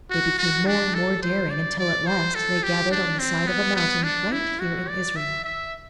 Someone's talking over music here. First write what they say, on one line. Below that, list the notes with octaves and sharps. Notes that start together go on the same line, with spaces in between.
They became more and more daring, until at last they gathered on the side of a mountain right here in Israel.
F#4
F#4
D4
A4
C5
D5
D5
C5
A4
G4
D4
C4
B3
B3
D4
E4
F#4
D5
E5
E5